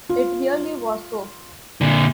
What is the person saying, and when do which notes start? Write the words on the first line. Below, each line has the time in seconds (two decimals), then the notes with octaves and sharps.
It really was so.
0.09 F4
1.81 A#2 D3